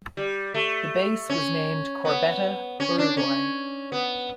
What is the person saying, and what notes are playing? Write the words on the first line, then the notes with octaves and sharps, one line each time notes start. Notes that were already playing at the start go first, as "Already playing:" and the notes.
The base was named Corbeta Uruguay.
G3
A3
C#4
B3
C#4
D4
C#4
B3